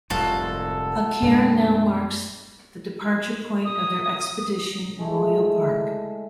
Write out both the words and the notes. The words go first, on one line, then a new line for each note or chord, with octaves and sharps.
A cairn now marks the departure point of their expedition in Royal Park.
F1 C2 G#2 F4 F#4 A4
F#2 B2 G#3 D4
D#6
G#3 A3 E4